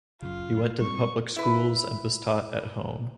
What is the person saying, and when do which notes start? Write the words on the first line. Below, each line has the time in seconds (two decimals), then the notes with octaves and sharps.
He went to the public schools and was taught at home.
0.22 F#2 C#3 F4
0.81 G3 C4 C#6
1.36 E4 B4